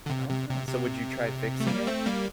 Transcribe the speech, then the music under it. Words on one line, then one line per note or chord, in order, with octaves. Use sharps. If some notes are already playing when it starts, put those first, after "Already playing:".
Oh, so would you try fixing it?
D3
C3
C3
C3
C3
A3
G3 A#3
A3 C4
G3 A#3